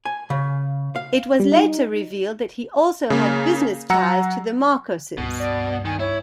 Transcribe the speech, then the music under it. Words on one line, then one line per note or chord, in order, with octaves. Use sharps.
It was later revealed that he also had business ties to the Marcoses.
G#5
C#3
F5
G3
D#4
C#3 A#3
F#3 F#5 A#5 E6 C#7
C#2 G2 B2
D5
D#3 G#5
E4 C#5